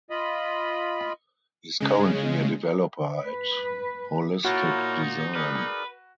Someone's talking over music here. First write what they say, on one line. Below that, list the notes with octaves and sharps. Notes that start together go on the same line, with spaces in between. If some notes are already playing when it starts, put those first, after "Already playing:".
He is currently a developer at Holistic Design.
F4 D#5 B5
C#3 G#3
B4
A#2 D#4 E4 F#4 A#4 C#5
G#4 A#4 B4 D5